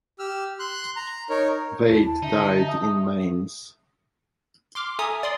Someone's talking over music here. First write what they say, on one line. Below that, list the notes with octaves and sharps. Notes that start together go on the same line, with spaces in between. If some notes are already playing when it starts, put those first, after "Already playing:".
Veit died in Mainz.
G4 E6 F6
C6 F#6
A#5
D#4 A#4 C#5
D#2 E4 A5
D3 D#4 E5
E5 D#6
C6 D6 F6
A4 E5 G#5 A#5 D#6
D5 C6 D#6